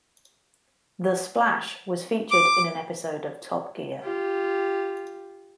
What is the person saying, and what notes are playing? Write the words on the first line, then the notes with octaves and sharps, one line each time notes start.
The Splash was featured in an episode of "Top Gear".
D6
F4 G4